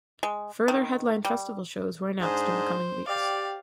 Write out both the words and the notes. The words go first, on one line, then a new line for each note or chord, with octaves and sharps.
Further headline festival shows were announced in the coming weeks.
G#3
D#3
G3
G#2 D4 G#4 C5
G4 D5 F5